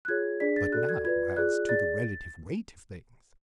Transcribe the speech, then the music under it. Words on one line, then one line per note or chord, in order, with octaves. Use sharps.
But now as to the relative weight of things.
F#6
F4 G#4 C#5 G#6
D4 G#4 D5 B6
A6
F#4 A4 D5 F#6
G#6
F4 B4 D5 G#6
F4 G#4 D5 F#6
G#4 D5 A6